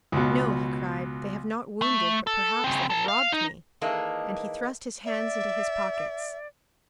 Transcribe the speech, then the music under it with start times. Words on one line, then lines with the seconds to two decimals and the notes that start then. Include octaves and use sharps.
"No," he cried, "they have not wounded, but perhaps they have robbed me!" and he thrust his hands into his pockets.
0.12 C#2 B2
1.82 A3
2.27 A4
2.64 C#3 C4
2.90 A#4 A5
3.08 F5
3.32 D#4
3.81 D#3 E3 G#3 A#3 D4
5.05 D5 E5